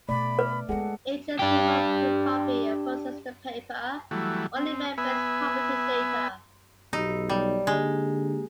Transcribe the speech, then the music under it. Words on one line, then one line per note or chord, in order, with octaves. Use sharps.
Agents involved could copy and process the paper- or email-based property data.
B2 A3 B3 D5 B5
B4
G#3 B3 F4 G#4 A4 F#5
D4 G4
E3 F#3 G3 A3
C4
B3 B4 E5 G#5
B1 B3 D#4 G4 E6
G3 C#5 D5
D3 G#3 A#3 G4